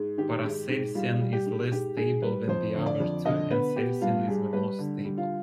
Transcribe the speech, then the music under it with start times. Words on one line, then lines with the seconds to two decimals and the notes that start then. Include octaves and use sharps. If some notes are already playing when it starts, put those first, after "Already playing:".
Paracelsian is less stable than the other two and celsian is the most stable.
Already playing: G#2
0.18 D#3 G4
0.44 G#2
0.69 G#2
0.95 G3 F4
1.21 G3
1.33 G4
1.46 G#2
1.72 G#2 G4
1.97 G#2 G#4
2.22 G3 B4
2.48 F2 C5
2.74 D3
2.86 D5
3.00 F2
3.25 D3 D#5
3.51 B3 B4
3.76 B3 G4
4.01 G2 F4
4.28 G3 G#4
4.53 G3 B4
4.79 D3
5.05 G3
5.18 F4